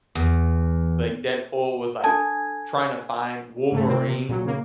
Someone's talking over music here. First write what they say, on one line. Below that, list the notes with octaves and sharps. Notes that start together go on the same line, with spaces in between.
like, Deadpool was, like, tryna find Wolverine
E2
D4 A4 G#5 A5
G#2 C#3 A3
C3 C4
C3
A#2 F#3
C#3 A#3